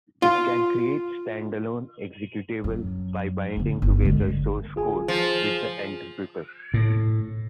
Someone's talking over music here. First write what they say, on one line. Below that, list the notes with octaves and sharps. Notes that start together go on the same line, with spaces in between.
It can create stand-alone executables by binding together source code with the interpreter.
F4
F#2
D3 C#4
G1
D3 G#3
F4 G#4 G#5
F3
A2